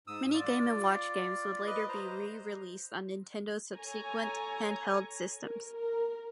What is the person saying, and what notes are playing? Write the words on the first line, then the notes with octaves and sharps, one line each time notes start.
Many Game and Watch games would later be re-released on Nintendo's subsequent handheld systems.
G#2 D#6 E6
F4 D5
B4 D#5
C5 A#5
A4 C#5 G#5 A#5
A#4
A#4